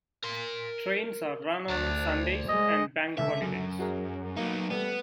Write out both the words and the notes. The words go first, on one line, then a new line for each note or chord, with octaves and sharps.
Trains are run on Sundays and bank holidays.
A#4 C6
D2 D4 C5 D5
G#3 D#5
C#2 D3 E5 E6
F#2
F#4 G#4 A#4
F#3 A#3 D#4
G3 A3 B3